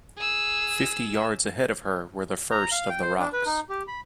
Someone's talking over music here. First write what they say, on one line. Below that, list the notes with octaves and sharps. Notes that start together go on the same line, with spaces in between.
Fifty yards ahead of her were the first of the rocks.
G#4 E6
A#5
F5
G5
C5
D4
B4
D#4
G4
B5